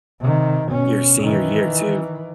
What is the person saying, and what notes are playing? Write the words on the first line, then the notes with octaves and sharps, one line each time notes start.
Your senior year too.
C3 D#3
B2 C#4
D#3 E3